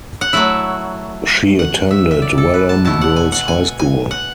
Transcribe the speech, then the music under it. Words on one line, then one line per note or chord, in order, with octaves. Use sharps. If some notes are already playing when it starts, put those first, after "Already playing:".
She attended Welham Girls High School.
F#5
F#3 A3 E4 E5
F#5
E5
E5
D5
A4
B4
A5
B2 A3 E4 A5
F#5
G#5
F#5
G#5
G#5
F#5